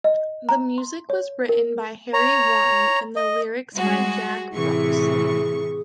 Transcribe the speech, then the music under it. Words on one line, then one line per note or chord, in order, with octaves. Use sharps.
The music was written by Harry Warren and the lyrics by Jack Brooks.
D#5
A#5
C6
C#5
A#4
C#5 A#5
D#5
G3 G#3 F#4 G#4
A2 C3 E3 G#4 C#6